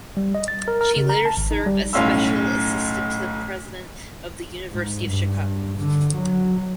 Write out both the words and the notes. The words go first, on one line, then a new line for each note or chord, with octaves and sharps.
She later served as special assistant to the president of the University of Chicago.
G3
D#5
A6
A#4
A#4
C#3
A#5
A5
G#1
D#4
G3
B1 A2 C#4 F5 C6 E6
G#2
G2
D3
F#3